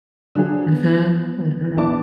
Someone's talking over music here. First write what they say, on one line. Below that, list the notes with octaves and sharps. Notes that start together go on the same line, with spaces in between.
Mhm. Mhm.
D3 F3 F#3 G#4
B3
A#1 B3 E4 D5 A5 D6